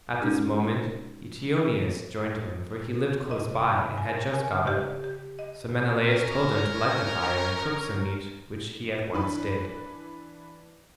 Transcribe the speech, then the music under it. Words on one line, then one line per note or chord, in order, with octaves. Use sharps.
At this moment Eteoneus joined him, for he lived close by and had just got up; so Menelaus told him to light the fire and cook some meat, which he at once did.
G#3 C#4 D#4 G4 A4
D#5
C3
B5
G#5
A#4
G#5
C#3
G4
G4
D#5
C#4 A#4
E3 D4 B4